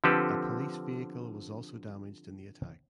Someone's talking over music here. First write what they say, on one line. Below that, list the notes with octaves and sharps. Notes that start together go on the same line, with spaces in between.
A police vehicle was also damaged in the attack.
D3 F3 C4 G4 A4 B4